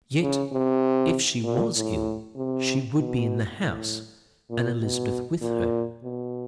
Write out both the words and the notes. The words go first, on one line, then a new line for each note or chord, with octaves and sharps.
Yet, if she was ill, she would be in the house, and Elizabeth with her.
C#3
C3
A#2
A2
C3
B2
A2
A#2
B2
A#2
B2